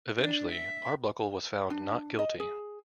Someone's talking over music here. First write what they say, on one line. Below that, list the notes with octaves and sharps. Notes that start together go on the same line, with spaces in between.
Eventually Arbuckle was found not guilty.
D4
E5
D4
D#5
G#4